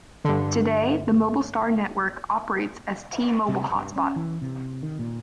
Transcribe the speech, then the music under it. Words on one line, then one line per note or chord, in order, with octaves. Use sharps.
Today, the MobileStar Network operates as T-Mobile Hotspot.
G2 D3
C3
G2
C#4
E3
C3
D#3
A#2